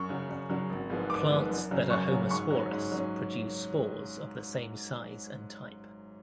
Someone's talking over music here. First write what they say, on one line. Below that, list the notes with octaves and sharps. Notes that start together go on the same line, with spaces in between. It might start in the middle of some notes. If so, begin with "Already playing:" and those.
Plants that are homosporous produce spores of the same size and type.
Already playing: F#2 C#6
C#3 F#3
F#2
C#3 F#3
G#1
G#2 F3 B3
G#1 D6
G#2 F3 B3
F#2
C#3 F#3 C#4
F#2 C#6
C#3 F#3 C#4
G#2 C#6
F#3 C#4
G#2
F#3 C#4